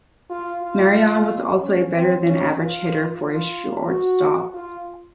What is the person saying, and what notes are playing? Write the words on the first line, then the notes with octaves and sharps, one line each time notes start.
Marion was also a better-than-average hitter for a shortstop.
F4
F4
C#4
C4
C#4
F4
F4
F#4
F4